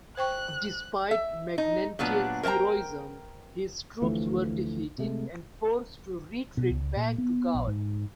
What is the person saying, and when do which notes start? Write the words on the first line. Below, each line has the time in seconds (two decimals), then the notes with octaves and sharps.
Despite Magnentius' heroism, his troops were defeated and forced to retreat back to Gaul.
0.17 C5 G5 C#6 F#6
1.11 E5
1.58 D#4
1.99 A#2 F#3 B3 D4
2.43 A#4 C5 E5 G5 A#5
4.02 D2 E3 F3 A3
4.98 C3 G#3 A3
6.57 B2
6.70 C#2
6.96 A#2
7.18 B3
7.55 A#1
7.67 G#2